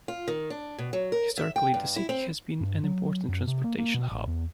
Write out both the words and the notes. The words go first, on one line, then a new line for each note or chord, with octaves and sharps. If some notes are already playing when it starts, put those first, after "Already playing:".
Historically, the city has been an important transportation hub.
F4
D#3
D4
B2
F#3
A#4
E5
G5
G2
E4
C4
G2
F#3
F#2
C3
A#3
A#3
B2
A1
E2